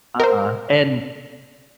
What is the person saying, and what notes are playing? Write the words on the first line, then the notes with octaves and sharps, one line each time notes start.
Uh-uh, and
A#4 C5